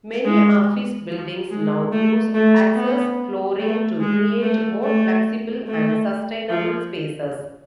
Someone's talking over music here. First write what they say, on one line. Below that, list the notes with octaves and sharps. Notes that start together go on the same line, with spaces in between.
Many office buildings now use access flooring to create more flexible and sustainable spaces.
G#3
F3
G#3
A3
A3
B3
A3
G#3
A3
A3
A3
F3